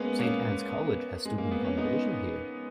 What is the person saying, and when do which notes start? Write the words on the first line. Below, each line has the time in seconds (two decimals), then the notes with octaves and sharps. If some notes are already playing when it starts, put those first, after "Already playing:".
Saint Anne's College has student accommodation here.
Already playing: G#3 A#3 B3 C#4
0.19 A#3 C#4
1.25 G#3
1.38 A#3
1.51 B3
1.65 C#4
1.77 B3 D#4